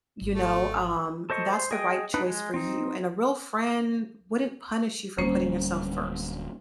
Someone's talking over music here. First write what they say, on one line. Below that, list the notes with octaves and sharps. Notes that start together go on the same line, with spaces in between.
You know, um, that's the right choice for you, and a real friend wouldn't punish you for putting yourself first.
G#1
A3
A4 C5 D#5 C#6
C5
G#4 D#5 G5
D4 D#4 B4
G#3
C4 D#4
D1 G3 A#3 C#4 C5